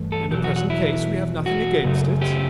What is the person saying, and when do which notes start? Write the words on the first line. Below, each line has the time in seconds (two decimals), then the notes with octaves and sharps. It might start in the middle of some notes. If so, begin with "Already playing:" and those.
"In the present case we have nothing against it."
Already playing: G2 E3 A3
0.12 A4
0.31 E2 B2 F#3 G4
0.44 F#4
0.56 F#4
0.70 E4
1.46 F#4
1.84 F#2 C#3 A3
2.22 G4